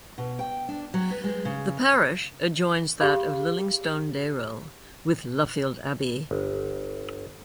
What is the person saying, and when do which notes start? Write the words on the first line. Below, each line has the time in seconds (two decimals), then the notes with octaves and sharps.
The parish adjoins that of Lillingstone Dayrell with Luffield Abbey.
0.18 B2
0.39 G5
0.68 D4
0.94 F#3
1.10 B4
1.24 G#3
1.45 C#3
3.00 G4 G#4 F5 B5 D6
6.31 G1